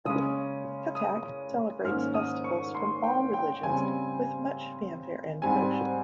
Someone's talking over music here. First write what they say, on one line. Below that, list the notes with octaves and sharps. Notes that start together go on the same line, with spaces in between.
Cuttack celebrates festivals from all religions with much fanfare and devotion.
C#3 G#3 C#4 D#6
D#6
G#2 D#3 A#3 C#4 F6
D#6
C#6
C6
G5
G5
C#3 G3 C4 G#5
G#2 G3 C4 G#5